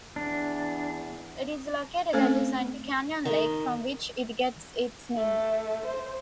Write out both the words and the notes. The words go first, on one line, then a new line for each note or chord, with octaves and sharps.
It is located adjacent to Canyon Lake, from which it gets its name.
E2 D4
A3 C4 C#4 A4 C5
D#3
A3
C5